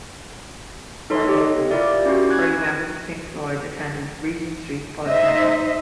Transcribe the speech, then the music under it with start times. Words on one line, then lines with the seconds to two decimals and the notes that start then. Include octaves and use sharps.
Like Latham, early members of Pink Floyd attended Regent Street Polytechnic.
1.10 D#4 A4 C#5 C6
1.28 G4 D#5
1.70 E4 F4 G4 A#4 D5 E5
2.06 C#4 E4 F#4
2.30 C#6 F#6 G#6
5.07 D#4 C5 D#5 E5